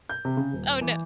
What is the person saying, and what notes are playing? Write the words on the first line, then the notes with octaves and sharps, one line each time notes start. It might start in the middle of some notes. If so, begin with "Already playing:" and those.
Oh, no.
G6
C3
C#3
D#1
E3